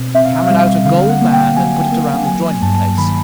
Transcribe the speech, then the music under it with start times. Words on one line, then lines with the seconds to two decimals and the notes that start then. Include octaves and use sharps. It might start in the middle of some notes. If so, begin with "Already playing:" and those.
He hammered out a gold band and put it around the joining place.
Already playing: B2 C4
0.15 C4 E5
0.25 F5
0.35 E5
0.46 G3 F5
0.56 E5
0.85 D3 F5
1.09 F#5
1.21 A#3
1.33 G5
1.56 F#3 G#5
1.92 A#3
2.27 F#3 G#5
2.62 G2 A5
2.98 D#3 B5